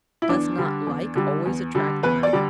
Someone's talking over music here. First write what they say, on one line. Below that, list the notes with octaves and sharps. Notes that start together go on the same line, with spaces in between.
Does not like always attract like?
E4
E2 D4
D3 G3
E2
D3 G3
E2
D3 G3
E2 B4
D5
D3 G3